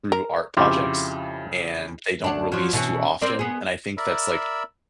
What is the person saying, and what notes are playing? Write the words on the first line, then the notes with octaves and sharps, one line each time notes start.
through art projects, and they don't release too often, and I think that's, like,
A#4
F2 C#3 E4 F4 G4
D2 D4
F3 F#3
B2 E3 C#4
C4 A#4 D5
B3 G#4
A#4 D5 E5 B5 E6